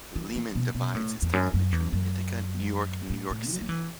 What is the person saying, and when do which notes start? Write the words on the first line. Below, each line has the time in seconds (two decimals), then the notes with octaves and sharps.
Lehman divides his time between Ithaca, New York, and New York City.
0.16 E3
0.36 E3
0.55 B2
0.75 B2
0.95 A2
1.22 E2
1.33 F#2
1.54 F#2
1.72 E2
1.93 F#2
3.10 A2
3.31 A2
3.50 F#3
3.61 F#3
3.69 E3